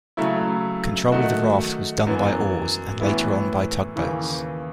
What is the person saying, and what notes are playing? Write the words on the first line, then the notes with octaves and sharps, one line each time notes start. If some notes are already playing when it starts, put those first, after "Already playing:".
Control of the raft was done by oars and later on by tugboats.
C#3 F#3 A3 E4
D#3 A3 D#4 F#4
F#2 E3 B3
A2 E3 B3 E4
D#2 C#3 E3